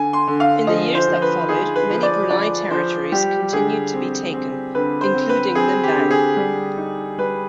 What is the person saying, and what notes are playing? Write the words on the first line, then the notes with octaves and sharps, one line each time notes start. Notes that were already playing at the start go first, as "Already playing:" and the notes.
In the years that followed, many Brunei territories continued to be taken, including Limbang.
Already playing: D3 G#5
C6
D3
F5
F3 D#5
C5
F3
B4
D#4 G#4
B4
F3
D5
F3 D5
F3 C5
G3 G4
D3 G#4
C4
C4
D3 B4
C5
C4
B4
C4 G#4
G4
D3
G#4
G3
D#4
G3 B4